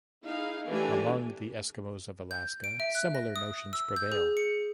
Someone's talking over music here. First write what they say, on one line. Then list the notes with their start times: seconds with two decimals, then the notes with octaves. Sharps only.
Among the Eskimos of Alaska, similar notions prevail.
0.24 D#4 E4 G#4 F5
0.68 E3 A3 D4 G4 A4 G#5
2.31 G6
2.64 D7
2.80 E5
2.95 F#6
3.15 A#6
3.36 D#6
3.73 E6
3.96 G6
4.12 G#4
4.37 C#7